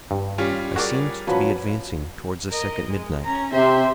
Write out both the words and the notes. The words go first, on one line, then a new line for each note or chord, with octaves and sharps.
I seemed to be advancing towards a second midnight.
G2
G3 C#4 F4
F#4 G#4 A#4 D5
F3 F#3 C#4 B4 B5
A#4 D#5
G#3
C#4 A#5
C3 C5 E5